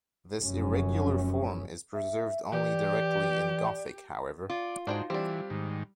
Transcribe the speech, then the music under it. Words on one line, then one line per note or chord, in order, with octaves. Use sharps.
This irregular form is preserved only directly in Gothic, however.
F1 F#2 C#4
E5
E3 G4 D5
F4 D5
G#2 D4 D#4 F#4 G#4 C5 G5
E3 G3 C4 D4 G4
G#2 D#3